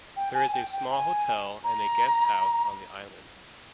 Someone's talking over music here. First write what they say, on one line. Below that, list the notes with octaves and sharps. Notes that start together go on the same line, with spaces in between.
There is a small hotel and a guest house on the island.
G5
G#5
G5
G5
G#5
A#5